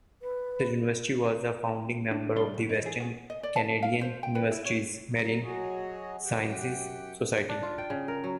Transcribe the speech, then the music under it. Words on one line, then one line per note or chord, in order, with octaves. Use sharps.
The university was a founding member of the Western Canadian Universities Marine Sciences Society.
B4
D4
C2 G3 D4 A#4 D5 C6
F#2 B2
D#4
E3 E4 G#4
B3 F#4 G#4
D#5
D5
A5
F5
C5
G5
B4
E4
C#5
F#3 A#5
F#3 F#4 G#4 C#5 D#5
F#2 G4 F#5 G5
D4
F4
G5
C#3
A#4
F#3